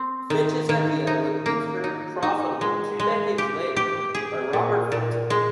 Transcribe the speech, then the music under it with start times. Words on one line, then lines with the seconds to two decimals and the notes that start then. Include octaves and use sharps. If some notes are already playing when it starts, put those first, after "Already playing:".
Fitch's idea would be turned profitable two decades later by Robert Fulton.
Already playing: C4
0.30 D#3
0.69 D#3
1.07 D#4
1.46 A#3
1.84 D#4
2.23 D#4
2.61 G#3
3.00 G#3
3.38 G4
3.77 G4
4.15 G#4
4.53 A#2
4.92 A#2
5.30 G#3